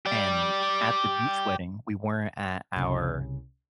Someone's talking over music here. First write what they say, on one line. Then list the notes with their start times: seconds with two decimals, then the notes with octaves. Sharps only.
and at the beach wedding, we weren't at our,
0.06 G4 D5
2.76 C2 C#3